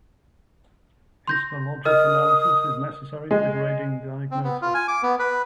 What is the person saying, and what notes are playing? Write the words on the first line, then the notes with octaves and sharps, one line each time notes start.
Histologic analysis is necessary for grading diagnosis.
C6 G6 A#6
A#4 D#5 D#6 F6
G#3
C4
B3
F4
G#5
D6
B3
B4